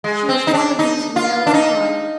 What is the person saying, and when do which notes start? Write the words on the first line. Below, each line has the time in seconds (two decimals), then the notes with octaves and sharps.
She's one of these narrow kind.
0.04 G#3
0.29 C4
0.47 D#4
0.54 D4
0.79 D#4
1.16 F4
1.47 D4
1.54 D#4